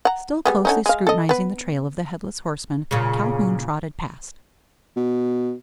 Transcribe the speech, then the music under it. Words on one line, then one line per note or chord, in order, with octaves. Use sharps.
Still closely scrutinising the trail of the Headless Horseman, Calhoun trotted past.
F#5 A#5
G3 G#3 B3
D3 C#4 D#4
G#3 F5
A4 D#5
B3 B4
A#2 C#3
B2